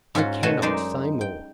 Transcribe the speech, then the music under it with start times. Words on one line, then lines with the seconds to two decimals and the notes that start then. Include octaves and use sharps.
I cannot say more.
0.15 G#2 C#4 F4 F#4
0.43 B2 A3 F#4 G#5 A5
0.62 F#2 G#3 D#4 C5 D5
1.21 G5